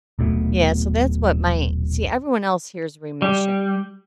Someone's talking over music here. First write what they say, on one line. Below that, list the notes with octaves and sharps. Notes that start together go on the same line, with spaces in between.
Yeah, so that's what my see, everyone else hears, "remission."
D#1 B1 B2 A3
G3